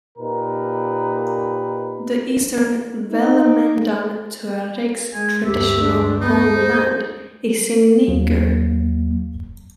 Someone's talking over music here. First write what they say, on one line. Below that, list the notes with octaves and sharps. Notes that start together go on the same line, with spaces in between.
The eastern Iwellemmedan Tuaregs' traditional homeland is in Niger.
A#2 D#4 G4 A#4 B4
D#4
G#3 G#5
D2 G2 G4 E5
D4
B3 D#4
C5
D#2 F#3 A#3